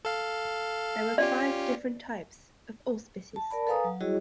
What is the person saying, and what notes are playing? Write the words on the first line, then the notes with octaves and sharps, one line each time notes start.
There were five different types of auspices.
A4 F5
C#4 F4 G4 D5
A5
A#4 D5 A5 B5
A4 B4 F5 G#5 A#5 D#6
F#3
G3 E4 F#4 G#4 C#5 D#5